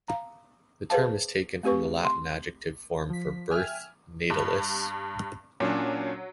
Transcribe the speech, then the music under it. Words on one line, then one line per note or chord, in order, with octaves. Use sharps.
The term is taken from the Latin adjective form for "birth", "natalis".
F5 A#5
G#4 B4 C5 F5 A5
A3 C4 G4 B4 C#6
C6
F3 B6
E5 G5 G#5 F6 G#6
G2
A#2 F#3 C#4 D4